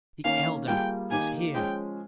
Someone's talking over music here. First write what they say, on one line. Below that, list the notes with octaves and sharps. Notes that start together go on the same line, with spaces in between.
"The elder is here."
D#3 A#3 C#4 F5
G3 A#3 F4 G#4 G5
D#3 A#3 D#4 G4 G#5
F3 G#3 C#4 G#4 G5